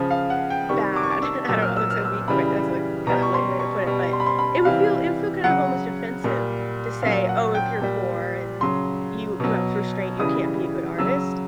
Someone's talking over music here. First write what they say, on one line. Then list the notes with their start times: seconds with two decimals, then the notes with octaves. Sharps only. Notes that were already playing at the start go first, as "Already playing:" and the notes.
bad, I don't know, that's a weak way that's a kinda lame way to put it, but it would feel it would feel kind of almost offensive to say, "Oh, if you're poor and you you have restraint, you can't be a good artist,"
Already playing: C#3 F3
0.11 F5
0.30 F#5
0.50 G5
0.69 C3 D#3 G3 C#6
0.96 D6
1.03 C#6
1.11 D6
1.23 E6
1.49 A#2 F#3 E6
1.62 F6
1.77 E6
1.90 F6
2.05 E6
2.28 C#3 E3 G3 B5
3.07 B2 G3 A#5
3.22 C#6
3.34 C6
3.59 C#6
3.86 B2 G3 C#6
4.13 C6
4.20 B5
4.26 C6
4.39 B5
4.65 C3 E3 G3 F5
5.44 C#3 F#3 F#5
6.24 A#2 G3
7.02 A#2 F#3 F5
7.29 F#5
7.55 G5
7.81 A#2 G3
8.61 C#3 F#3 C6
9.40 B2 F#3
10.18 C#3 E3 G3 D#6
10.98 C#3 F#3 E6